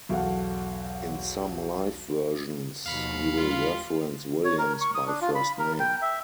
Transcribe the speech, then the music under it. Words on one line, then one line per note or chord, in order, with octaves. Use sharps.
In some live versions, he will reference Williams by first name.
B1 E2 F#4 A4 F5 F#5
D#2 B2 F3 F5 B5 C#7
G3 F4
C#5
A#4
C#6
D#6
D4
F4
B5
A#4
G5
E5